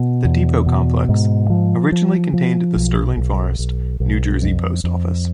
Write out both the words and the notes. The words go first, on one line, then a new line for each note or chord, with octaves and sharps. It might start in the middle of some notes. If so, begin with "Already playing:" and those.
The depot complex originally contained the Sterling Forest, New Jersey post office.
Already playing: B2
E2
B2
G#2
F3
F3
F3
B1
B1
B1
B1
F2
F2